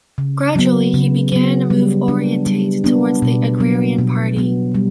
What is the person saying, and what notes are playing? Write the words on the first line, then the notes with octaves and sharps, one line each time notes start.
Gradually he began move orientate towards the agrarian party.
C#3
F#3 B3
C#3
F#3 B3
G3
B3 D4
G3
B3 D4
B2
F#3 B3
B2
F#3 B3
G3